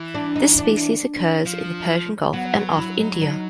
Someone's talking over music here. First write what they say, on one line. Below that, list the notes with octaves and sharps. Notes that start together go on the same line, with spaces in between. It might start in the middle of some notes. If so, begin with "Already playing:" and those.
This species occurs in the Persian Gulf and off India.
Already playing: E3
D4
D#4
D4
F3
F#3 B3
B3
E4
D#4
D#4